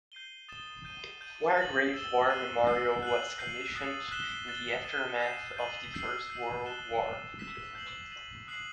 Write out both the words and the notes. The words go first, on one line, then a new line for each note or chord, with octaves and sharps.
Wargrave War Memorial was commissioned in the aftermath of the First World War.
G6 C7 D#7 G7
D#6 A6 E7 G7
G6 D#7 G7
G6 D#7 F#7
A6 D#7 F#7
E6 A6 E7 G7
F#6 C7 D#7 G7
E6 G6 C7 D#7
F#6 C7 F#7
G6 C7 D#7 F#7
D#6 F#6 A6 C7
F#6 B6 E7 G7
F#6 A6 E7 G7
D#6 A6 D#7 G7
G6 C7 E7
G6 C7 D#7 F#7
E6 G6 C7 D#7 F#7
G6 C7 F#7
F#6 A6 E7 G7
F#6 A6 D#7
E6 B6 E7
G6 C7 F#7
A6 D#7 F#7
D#6 F#6 C7 F#7